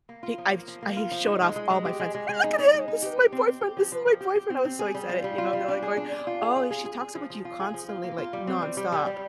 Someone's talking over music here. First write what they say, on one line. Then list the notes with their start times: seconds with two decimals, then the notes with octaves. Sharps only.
he I've I showed off all my friends, "Hey, look at him, this is my boyfriend, this is my boyfriend," I was so excited, you know? They're like going, "Oh, she talks about you constantly, like, nonstop."
0.09 A#3
0.23 F4
0.38 F3
0.53 A#3
0.68 F3
0.83 A#3
0.97 F4
1.12 F3
1.27 D#4
1.41 G#3
1.56 G#3
1.70 G#3
1.85 G4
2.00 G#3
2.15 G#3
2.29 G#3
2.44 D#4
2.58 D#4
2.74 G#3
2.88 D#4
3.02 G4
3.18 G4
3.32 C4
3.47 C4
3.61 G4
3.77 F3
3.92 F3
4.06 F3
4.21 G4
4.36 G4
4.50 C4
4.65 C4
4.79 G#4
4.95 G3
5.09 F4
5.24 G3
5.38 F4
5.53 G3
5.68 D4
5.82 G#4
5.97 D4
6.12 D4
6.27 F4
6.42 G#4
6.56 F4
6.71 G#4
6.85 G#4
7.01 G#4
7.15 F3
7.30 F3
7.45 F4
7.60 G#4
7.74 F3
7.89 F4
8.04 A#3
8.18 F4
8.33 G3
8.47 C4
8.62 G3
8.77 G3
8.92 G3
9.07 G3